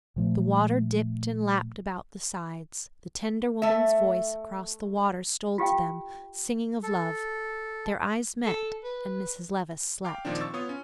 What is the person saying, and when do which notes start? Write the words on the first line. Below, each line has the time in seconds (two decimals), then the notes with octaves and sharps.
The water dipped and lapped about the sides; the tender woman's voice across the water stole to them, singing of love; their eyes met--and Mrs. Levice slept.
0.16 A#2 F3 A3
3.62 A3 E5
5.58 F4 G4 F5 G5
6.83 A4
8.46 A4
8.84 B4
10.05 F5 G5 D6
10.25 A#2 D#3 F3 C4 D4
10.41 C#6 E6 A6
10.54 B3 F4 C#5 D#6
10.69 C#4